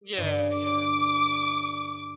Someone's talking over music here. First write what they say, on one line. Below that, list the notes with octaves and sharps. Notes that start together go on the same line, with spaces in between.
Yeah, yeah.
G2 D3
D6